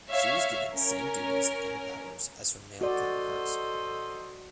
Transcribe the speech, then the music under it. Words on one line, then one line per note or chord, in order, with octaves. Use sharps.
She was given same duties and powers as her male counterparts.
C#5 E5 F5
C#4 A#4
F#4 A4 C5 D5 D#5